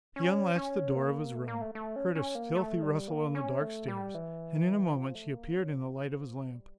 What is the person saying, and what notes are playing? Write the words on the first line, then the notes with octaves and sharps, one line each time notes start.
He unlatched the door of his room, heard a stealthy rustle on the dark stairs, and in a moment she appeared in the light of his lamp.
C#4
C#4
A#3
A3
A#3
A3
A3
C#4
C#4
A#3
A3
G3
A#3
C#4
A3
G3
E3
F3
A3
A#3
C#4
F3
G3